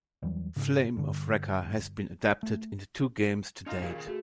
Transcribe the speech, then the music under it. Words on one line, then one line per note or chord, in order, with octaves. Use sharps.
"Flame of Recca" has been adapted into two games to date.
E2 E3 F#3 G3
G#2 C#3
G2 D3
A3
C#4 D#4 F4 A#5
A#2 C#3 F#3 G4 D#5
D#3 G#4
A3 F#4 G#4